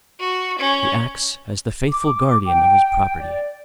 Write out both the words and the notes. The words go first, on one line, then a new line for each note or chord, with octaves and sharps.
He acts as the faithful guardian of his property.
F#4
C#4
D6
G5
D5